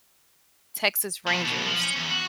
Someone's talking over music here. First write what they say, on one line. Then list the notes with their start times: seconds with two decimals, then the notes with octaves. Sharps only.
Texas Rangers
1.27 B2 G3
1.46 B1 B2
1.66 F3
1.80 C#4
1.97 E2
2.11 F#4